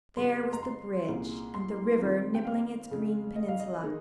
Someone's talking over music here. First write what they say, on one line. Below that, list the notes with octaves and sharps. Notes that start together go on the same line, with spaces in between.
There was the bridge, and the river nibbling its green peninsula.
F2 C#3 G3 C6
A#5
C6
C2 A#2 G#3 C#4 F4
C6
F2 D#3 G3 C4 F4
G5
F5
F2 C#3 G#3 C#4
D#5
F5
D#5
D#3 G#3 D#4